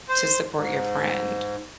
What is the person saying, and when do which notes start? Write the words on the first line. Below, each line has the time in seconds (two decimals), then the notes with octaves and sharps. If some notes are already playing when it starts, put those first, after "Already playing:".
to support your friend.
0.09 C5
0.54 G#2